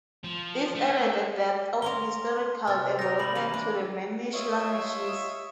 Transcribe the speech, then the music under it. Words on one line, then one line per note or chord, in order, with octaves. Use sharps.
This added a depth of historical development to the Mannish languages.
F3
A3
A#3 C#4 A#4 C6 G7
C3 E6 A6
D#4 A#4 A#6
G3 B5 F#7
E3 A#3 C#4
D4
F4 C#5 D#5 E5